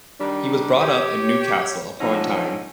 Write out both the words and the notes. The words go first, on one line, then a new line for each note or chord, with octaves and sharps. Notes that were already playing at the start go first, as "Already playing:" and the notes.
He was brought up in Newcastle upon Tyne.
D#3 G3 D4
G4 C#5
D3 F3 C#4 D#4